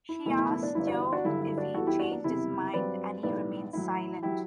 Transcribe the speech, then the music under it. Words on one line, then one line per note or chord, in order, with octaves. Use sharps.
She asks Joe if he's changed his mind and he remains silent.
E4
F#1 E2 B2 A3 E4
E4
E4
D4
G1 G2 E3 E4
D4 F#4
E4
D4 F#4
G2 D3 F#3 E4
E4
D4 F#4
G2 E3 G3 B3 F#4 A4
E4 G4
D4 F#4
D4
F#1 E2 C3 E4
G2 F#3 C4 B4 D5
B1 A2 E3 G3 B4 D5
A1 A2 F#3 E4
F#3 E4 G4